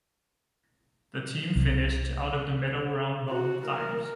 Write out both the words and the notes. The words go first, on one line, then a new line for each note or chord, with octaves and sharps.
The team finished out of the medal round both times.
C2
F#4
A#4